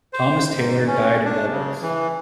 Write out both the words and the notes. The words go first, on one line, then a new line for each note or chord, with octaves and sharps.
Thomas Taylor died in Walworth.
C5
G#2
C#4
D4
C#3
E3